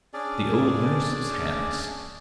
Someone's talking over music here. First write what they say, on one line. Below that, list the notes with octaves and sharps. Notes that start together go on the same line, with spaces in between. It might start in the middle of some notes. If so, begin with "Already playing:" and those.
The old nurse's hands.
C#4 D4 G#4 D5